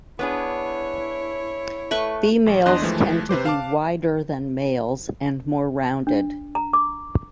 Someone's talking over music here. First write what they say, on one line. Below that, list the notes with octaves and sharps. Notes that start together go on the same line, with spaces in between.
Females tend to be wider than males and more rounded.
B3 D4 E4 G#4 C#5
A3 B4 C#6
A#1
E2 D4 D#5 C6 F#6
D#2 E3 F3 G#3 A3
C3 B4 C5 D6
F5 A5 D6
D4
A#5
D6